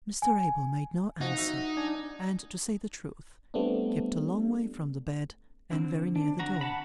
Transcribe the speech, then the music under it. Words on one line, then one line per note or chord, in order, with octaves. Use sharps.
Mr Abel made no answer, and, to say the truth, kept a long way from the bed and very near the door.
G#5
F3 D#4 F#4
F#4 E5
D4 G#5
G3 A3 B3 C4 D4
D3 C4
D4
F#4 A#5
F#5 A5 B5